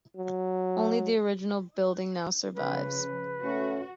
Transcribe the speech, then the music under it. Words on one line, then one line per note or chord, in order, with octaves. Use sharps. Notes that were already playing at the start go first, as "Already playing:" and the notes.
Only the original building now survives.
F#3
C#3 F3 B4
A3 C#4 F#4